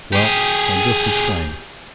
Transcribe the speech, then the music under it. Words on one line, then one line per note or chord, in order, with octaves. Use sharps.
Well, I'll just explain.
G4 G#4